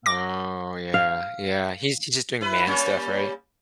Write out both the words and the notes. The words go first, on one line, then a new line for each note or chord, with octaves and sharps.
Oh, yeah. Yeah, he's he's just doing man stuff, right?
D6 A#6
F5
E4 B4
G3 A#3 C#4